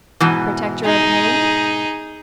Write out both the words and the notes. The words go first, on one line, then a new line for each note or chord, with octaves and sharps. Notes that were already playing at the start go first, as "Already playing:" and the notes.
Protector of whom?
G#2 B2 E3
D#4 G#4